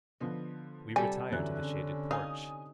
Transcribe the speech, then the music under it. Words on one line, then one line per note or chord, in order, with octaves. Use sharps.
We retire to the shaded porch.
D3 F3 B3 D#5
C3 G3 A4 G#5
F#2 D3 E3 C#4 F#6
C#3
D#4 F5 G#5 D#6